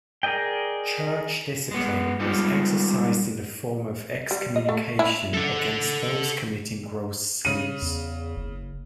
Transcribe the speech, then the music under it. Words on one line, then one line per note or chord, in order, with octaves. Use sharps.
Church discipline was exercised in the form of excommunication against those committing gross sins.
G#4 A#4 D5 D#5 G5
G#3 B3
G3 G#3 C4 D#4 F4
G3
D#5
A3
E4
A4 F#5
C#3 D#7
E2
F#1